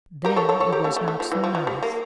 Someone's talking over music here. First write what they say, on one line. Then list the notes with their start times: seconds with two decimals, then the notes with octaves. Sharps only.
Then it was not so nice!
0.25 G4 A#4
0.36 A4 C#5
0.49 A4 C#5
0.60 A4 C#5
0.72 G4 A#4
0.84 A3 C#4
0.96 A3
1.08 A3
1.20 F3
1.32 E3
1.44 F3
1.55 F3
1.67 G3
1.83 A#3